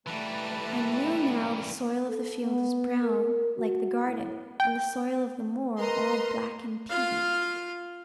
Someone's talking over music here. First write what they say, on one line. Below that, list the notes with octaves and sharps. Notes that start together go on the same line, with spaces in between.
I know now the soil of the field is brown, like the garden; and the soil of the moor all black and peaty.
E3 G3 A3 B4 A5 A#5
A4
B3
A#4
F#4
A2
G5
A#4 B4 D#5 A#5 C6
F4 F5